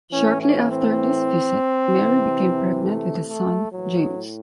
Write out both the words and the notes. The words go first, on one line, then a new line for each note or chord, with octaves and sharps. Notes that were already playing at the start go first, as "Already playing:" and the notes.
Shortly after this visit, Mary became pregnant with a son, James.
A2 E3 C#4
C#4
C4
C3 E3
A3
A3
A2 E3 F#3